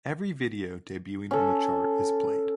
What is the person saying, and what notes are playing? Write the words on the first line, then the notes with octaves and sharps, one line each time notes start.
Every video debuting on the chart is played.
C#4 A4